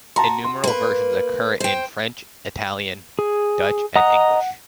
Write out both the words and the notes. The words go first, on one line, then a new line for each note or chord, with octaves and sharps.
Innumerable versions occur in French, Italian, Dutch and English.
F#4 A5 A#5 C6
C6
A#3 B4
C5 G5
G#4
D#5 F#5 A#5 D#6